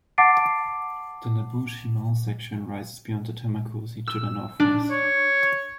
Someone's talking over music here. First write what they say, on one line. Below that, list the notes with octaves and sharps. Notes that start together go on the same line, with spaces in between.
The Labuche Himal section rises beyond the Tamakosi to the northwest.
F#5 A5 D6 A6 C7 D7
E6
D4
C#5